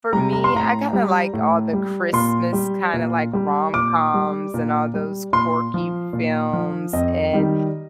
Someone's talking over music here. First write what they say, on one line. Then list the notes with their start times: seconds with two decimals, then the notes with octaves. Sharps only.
for me, I kinda like all the Christmas kinda like rom-coms and all those quirky films and,
0.13 C3 G3 A#5
0.33 A#5
0.44 C6
0.54 A2 A#5
0.93 G3
1.33 A2
1.73 G3
2.13 A#2 C6
2.53 G3
2.93 A#2
3.33 G3
3.73 A#2 D6
4.14 G3
4.54 A#2
4.94 G3
5.33 A#2 C6
5.74 F3
6.13 A#2
6.53 F3
6.93 F2 D#5
7.33 D#3 G3